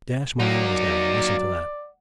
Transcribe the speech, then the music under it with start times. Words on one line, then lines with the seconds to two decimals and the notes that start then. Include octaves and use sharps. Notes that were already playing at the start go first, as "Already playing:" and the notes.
'Dash my eyes now; listen to that!
0.40 F#3 A#3 D#4 D5